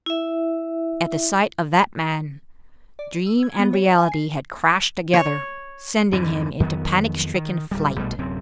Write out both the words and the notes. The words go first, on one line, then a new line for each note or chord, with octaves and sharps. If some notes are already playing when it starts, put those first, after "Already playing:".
At the sight of that man, dream and reality had crashed together, sending him into panic-stricken flight.
E4 E5
D5
D#7
E6
G#6
B3
C#5
D#5
G#5
C7
C#5
F2 G#2 D3 E3
F2 D#3 F#3 B3
D#3
D1 G3
A#1 B2 G3 A3
D1 F#2 C3 C4